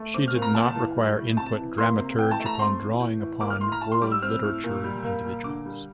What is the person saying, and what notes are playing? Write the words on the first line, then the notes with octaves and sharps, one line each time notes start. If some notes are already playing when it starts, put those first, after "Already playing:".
She did not require input dramaturge upon drawing upon world literature individuals.
Already playing: A3
C4 D6
F6
A#2
A#5
A#3 A5
E3
G3
A2
C3 A5
E3
A#3 C6
C3
E3 G5
A5
A3
A#5
C4 C6
E3
A2
E3
A#3 D6
F6
A2 C6
A#5
A2 A5
C6
G3 D6
E6
C4 F6
A2
A#2
G3
A#3
A#2
D3 D6
G3